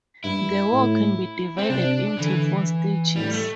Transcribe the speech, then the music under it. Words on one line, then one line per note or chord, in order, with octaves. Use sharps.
The war can be divided into four stages.
G2 E4
A2
C4
C3 D4
D3 E3
A2 G3
A3